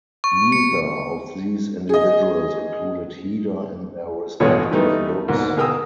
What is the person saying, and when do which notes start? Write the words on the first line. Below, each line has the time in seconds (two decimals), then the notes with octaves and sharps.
Neither of these individuals included Heda in their respective books.
0.24 C#6
0.52 C#7
1.89 G#4 D#5
4.40 A1 G2 B2 G#3 A4 C#5
4.71 E3 G3 A3 B3 D#4
5.28 D2 G#2 B2 A#3
5.57 B2 G#4 A#4 G5 D#6 E6